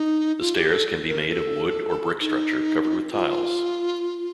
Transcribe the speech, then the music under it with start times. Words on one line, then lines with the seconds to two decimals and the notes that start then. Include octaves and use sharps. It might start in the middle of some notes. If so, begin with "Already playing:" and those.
The stairs can be made of wood or brick structure covered with tiles.
Already playing: D#4
0.39 F4
0.55 G4
0.69 A4
1.08 A#4
1.30 A4
2.21 D#4
3.12 F4